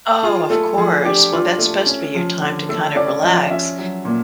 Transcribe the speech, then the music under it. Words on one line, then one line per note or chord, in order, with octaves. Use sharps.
Oh, of course, well that's supposed to be your time to kinda relax,
F4 G#4
A3 A4
F3 G#4
D4 G4
F4
A3
C#4
F3
D3
A3 A4
C#4 D5
F3 D#5
C#4 E5
F#3
A#2